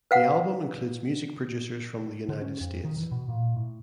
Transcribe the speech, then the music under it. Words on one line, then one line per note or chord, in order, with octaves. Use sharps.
The album includes music producers from the United States.
B4 F5 F#5
D3
C#4
F2
D#3
E3
B2
A#2
A2